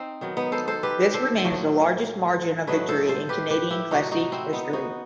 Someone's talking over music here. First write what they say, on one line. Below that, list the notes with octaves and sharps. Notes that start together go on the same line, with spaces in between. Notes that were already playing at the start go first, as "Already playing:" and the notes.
This remains the largest margin of victory in Canadian Classique history.
Already playing: C4 D#4
D#3 F#3 B3
B3 D#4
A4 C5
A4 C5
G4 B4
A4 C5
A2 F#3 A3
A2 F#3 A3 B4 D#5
A4 C5
A4 C5
G4 B4
G4 B4
E4 G4
C3 F#3 A3 D#4 F#4
D#4 F#4
C4 E4
B3 D#4
D#4 F#4